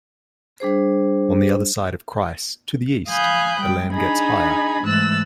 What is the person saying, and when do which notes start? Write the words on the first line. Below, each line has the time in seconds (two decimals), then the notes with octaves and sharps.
On the other side of Chryse, to the east, the land gets higher.
0.60 G3 D4 G#4 C5
3.09 F5 G#5 B5 D#6 F#6 G6
3.60 G3 G5
3.94 D4 D#4 G#4 G#5 B5
4.84 G#2 E3 A3 E6 F#6 A6